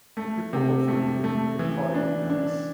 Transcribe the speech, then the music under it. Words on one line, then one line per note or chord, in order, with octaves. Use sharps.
The people offered him a party dance.
A3
C3
A3
A3
E3
D4
D4